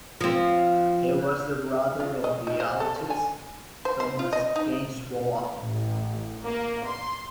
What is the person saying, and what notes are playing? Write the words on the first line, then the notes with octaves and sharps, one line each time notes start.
He was the brother of the artist Thomas Gainsborough.
F3 C4
F4
D#5
D#4
C5
A4
F3
G#5
C5
C5
F4
D#5
D#4
A1
A#3
C6